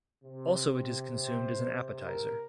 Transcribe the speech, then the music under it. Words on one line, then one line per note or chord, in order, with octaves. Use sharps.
Also it is consumed as an appetizer.
C3
C5
A#4